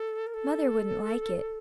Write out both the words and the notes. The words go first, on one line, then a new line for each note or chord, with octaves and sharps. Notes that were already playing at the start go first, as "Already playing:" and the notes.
"Mother wouldn't like it."
Already playing: A4
A#4
A4